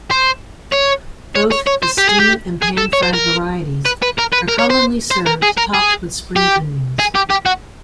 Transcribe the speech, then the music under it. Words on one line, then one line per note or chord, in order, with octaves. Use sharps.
Both the steamed and pan-fried varieties are commonly served topped with spring onions.
C5
C#5
C#5
C#5
C#5
C5
G4
G#4
G4
G#4
A4
C#5
C5
A#4
B4
B4
A#4
B4
A#4
C#5
C5
C5
A#4
G#4
A#4
G#4
G4
G#4
G4
G4
F#4